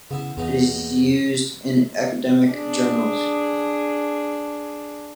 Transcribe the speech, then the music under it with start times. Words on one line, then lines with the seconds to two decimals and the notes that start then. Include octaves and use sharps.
It is used in academic journals.
0.11 C#3 B3 E4
0.37 E2 C#3 B3 D#4
2.50 D4 G#4